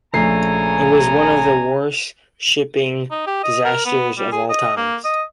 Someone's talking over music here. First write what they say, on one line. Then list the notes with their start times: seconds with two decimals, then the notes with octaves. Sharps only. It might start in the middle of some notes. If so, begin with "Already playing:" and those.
It was one of the worst shipping disasters of all times.
0.13 A#1 C#3 A3 G#5 A#5 C7
3.11 D#4
3.27 G4
3.44 D#5
3.65 A#4
3.85 B3
4.18 G3
4.32 G#4
4.50 D#5
4.77 A#3
5.04 D#5